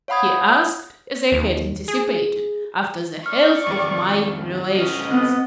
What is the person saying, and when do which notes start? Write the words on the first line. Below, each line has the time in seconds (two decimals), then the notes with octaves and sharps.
He asked, as I had anticipated, after the health of my relations.
0.08 C#5 F5 F#5 B5 D#6 G#6
1.32 D#2
1.88 G#4
3.26 D5 C#6 F6
3.67 F2 D#3
4.76 D2 C#4 D#5
5.11 B3 C4